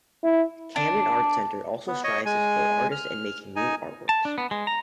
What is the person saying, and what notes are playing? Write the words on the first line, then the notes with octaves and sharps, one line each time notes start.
Camden Arts Centre also strives to support artists in making new artworks.
E4
D4 A5
B3
C#5 D#5
G#3 G#5
F6
D#4 G#5
A5
D4
B3
G#3
A#5